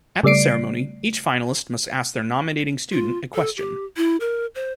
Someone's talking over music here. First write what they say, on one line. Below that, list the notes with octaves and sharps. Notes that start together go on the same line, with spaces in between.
At the ceremony, each finalist must ask their nominating student a question.
C#3 G3 A3 D5 C7 D7
F4
A4
G4
E4
A#4
C5